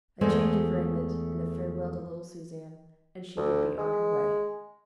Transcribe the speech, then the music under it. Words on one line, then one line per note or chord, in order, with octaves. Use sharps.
A change of raiment, and a farewell to little Suzanne, and she could be on her way.
E2 G#3 A3 C5
D2
G#3